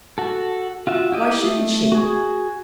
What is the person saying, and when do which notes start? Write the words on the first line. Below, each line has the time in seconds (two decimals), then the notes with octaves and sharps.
"Why shouldn't she?"
0.18 F#4 A4
0.87 F4 F#4 E5
1.12 E4 G4 D#5
1.44 A3
1.92 F#4 G#4